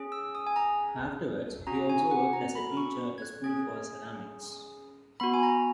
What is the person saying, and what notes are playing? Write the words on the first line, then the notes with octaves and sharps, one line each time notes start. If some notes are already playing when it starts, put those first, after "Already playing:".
Afterwards, he also worked as a teacher at a school for ceramics.
Already playing: C#4 G#4
E6
D#6
G#5
A#5
C#4 F#4 A#5
G#5
F#5
A#5
B5
C#6
G#6
F#6
C#4 G#4 G#6
B3 F#4 B5
G#5
A#5